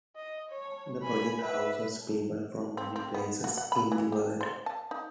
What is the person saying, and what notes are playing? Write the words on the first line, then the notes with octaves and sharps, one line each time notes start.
The project houses people from many places in the world.
D#5
C#5
G#5 B5
B4 E5
C4
C4
B3
F#4
F#5
B5
E3
G4
C5
A5
D#4